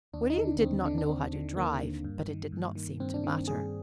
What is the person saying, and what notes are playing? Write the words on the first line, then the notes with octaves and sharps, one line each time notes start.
William did not know how to drive, but it did not seem to matter.
D#2 D4
D#4
D3
D4
D#2 C4
D3 D4
D4
D#2 C4
D3
D#2 A#3
D3
G2
D#3
G2
D#3
G2 C4
D4
D#3 C4
G2 G#4